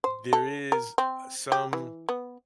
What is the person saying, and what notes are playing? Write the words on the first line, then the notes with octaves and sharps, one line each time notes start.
there is, uh, some
C5
A4
A#4
C4
G4
E3
B3